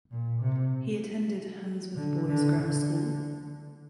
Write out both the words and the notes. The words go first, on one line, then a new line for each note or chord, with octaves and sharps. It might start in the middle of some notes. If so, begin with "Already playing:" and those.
He attended Handsworth Boys Grammar School.
A#2
C3
D3
D3
D3